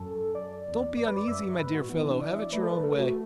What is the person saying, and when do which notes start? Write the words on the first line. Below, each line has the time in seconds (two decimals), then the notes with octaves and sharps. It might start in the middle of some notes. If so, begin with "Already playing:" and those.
Don't be uneasy, my dear fellow, have it your own way.
Already playing: F#2 A4
0.35 D5
0.66 E2
0.96 F#2 D5
1.07 B4
1.17 D5
1.27 F#2 E5
1.59 A2 B4
1.75 F#4
1.89 E3 B3
2.05 D4
2.21 D5
2.32 E5
2.41 D5
2.52 A3 B4
2.63 A4
2.67 B4
2.83 A3 A4
2.99 F#4